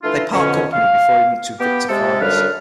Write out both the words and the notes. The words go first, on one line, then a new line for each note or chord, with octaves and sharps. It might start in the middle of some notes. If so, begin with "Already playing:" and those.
They part company before he meets with Victor Fargas.
E3 A3 D4 F4
F2 B2 D3 C#4
F5
B3 G4
C3 G#3 A4
F#2 D3 G3 B4 F5 F6